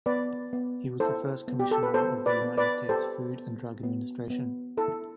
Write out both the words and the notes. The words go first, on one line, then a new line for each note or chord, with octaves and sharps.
He was the first commissioner of the United States Food and Drug Administration.
B3 B4 D5
B3
E4 A4 C5
B3
G4
A4
B4
B3 A4 C5
B4 D5
B3
B4 D5
G4 A4 C5
B3
B3
B3
E4 A4